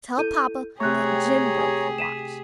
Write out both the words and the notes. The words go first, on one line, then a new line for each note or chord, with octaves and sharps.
"Tell papa that Jim broke the watch."
E4 A4 G6 D#7
C3 A3 G4 G#4 C#5 A#5 C#6 F#6
G#5
B6 D#7 E7